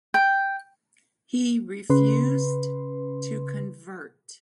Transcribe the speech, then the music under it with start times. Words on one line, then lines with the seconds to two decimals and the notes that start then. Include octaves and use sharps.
He refused to convert.
0.14 G5
1.90 C#3 B4 C6